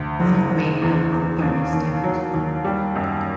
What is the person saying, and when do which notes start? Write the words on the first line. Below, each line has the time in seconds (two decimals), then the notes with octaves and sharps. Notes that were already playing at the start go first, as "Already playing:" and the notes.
Some may have a thermostat.
Already playing: D2
0.20 F#1
0.50 F#1
0.82 E2
1.12 E2
1.42 D#2
1.73 D#2
2.04 F#3
2.34 D#2
2.65 G3
2.96 F#2